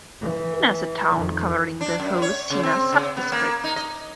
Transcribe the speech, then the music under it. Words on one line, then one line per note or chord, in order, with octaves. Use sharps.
Sena is a town covering the whole Sena sub-district.
E3
F2 D#3
D4
F#2
C#5
C#3
C4
C#3
B3
A#3
D#4
D#5